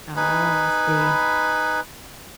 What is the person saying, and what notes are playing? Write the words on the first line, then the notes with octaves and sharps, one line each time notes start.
Oh, I see.
D#4 B4 G#5 B5